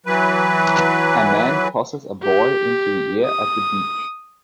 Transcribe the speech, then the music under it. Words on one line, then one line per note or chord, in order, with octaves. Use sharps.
A man tosses a boy into the air at the beach.
E3 F#3 B4
G4
D#6